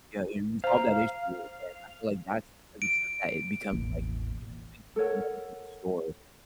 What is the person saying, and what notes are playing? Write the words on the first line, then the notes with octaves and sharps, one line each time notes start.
you know, resolve that issue, and I feel like that's the type of stuff that it becomes, like, you know, faith in humanity restored.
C5 F5 A#5
D7
E1 A1 E3 A#3
A4 A#4 C#5 F#5